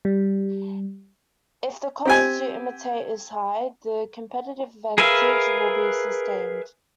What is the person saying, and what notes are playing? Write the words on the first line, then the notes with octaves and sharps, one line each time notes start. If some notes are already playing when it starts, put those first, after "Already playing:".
If the cost to imitate is high, the competitive advantage will be sustained.
G3
C4 G4 G#5
G#4 A#4 B4 E5 F5